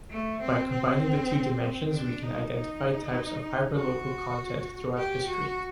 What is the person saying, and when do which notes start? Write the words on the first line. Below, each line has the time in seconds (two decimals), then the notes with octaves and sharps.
By combining the two dimensions we can identify types of hyperlocal content throughout history.
0.10 A3
0.41 C4
0.71 C4
1.93 D4
2.23 D#4
2.53 D#4
3.75 F#4
4.97 G4
5.27 F#4